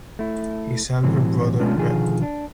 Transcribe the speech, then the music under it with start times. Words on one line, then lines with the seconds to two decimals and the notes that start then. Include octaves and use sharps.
His elder Brother Rev.
0.19 A3 E4
1.03 A2 E3 F#3 G3 C4
1.60 G#3 A3 B3 C#4 D4 F4
1.76 B2 D3 D#3 F3 F4 G#4
2.22 D4